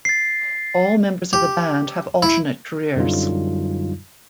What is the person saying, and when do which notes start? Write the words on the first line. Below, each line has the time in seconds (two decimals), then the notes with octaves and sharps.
All members of the band have alternate careers.
0.05 A6 C7
1.33 G4
2.23 E4
2.96 F#2 D3 F#3 G3 D#4 F4